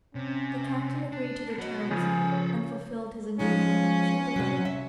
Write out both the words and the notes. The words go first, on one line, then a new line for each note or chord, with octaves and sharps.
The captain agreed to the terms and fulfilled his engagement to the letter.
C3 C#4
D4
F#3 B3 D#5
C#3 F3 C#4 G#4 A4 G#5
C#5
F3 G#3 C#4 D#4
C3 F#3
E5